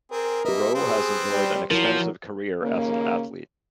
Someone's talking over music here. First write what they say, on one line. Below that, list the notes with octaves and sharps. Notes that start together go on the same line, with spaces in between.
Ro has enjoyed an extensive career as an athlete.
C4 G#4 A#4
A#3 G4 B4 D#5 E5
B3 C4 G#4 C5
G3
F3 F#3 E4 A#4
D#2 C#3 A#3